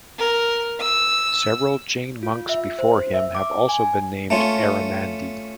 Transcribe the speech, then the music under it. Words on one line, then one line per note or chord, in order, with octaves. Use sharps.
Several Jain monks before him have also been named Aryanandi.
A#4
E6
F4
E5
C5
E5
D6
G#5
A3 C#4 F4